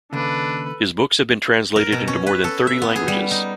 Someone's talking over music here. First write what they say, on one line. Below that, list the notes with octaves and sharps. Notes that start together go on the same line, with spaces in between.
His books have been translated into more than thirty languages.
D#2 C#3 D4 A4 B4
A#4
B2
C#4
B4
A4
E5
B3
G#4
G3
D#4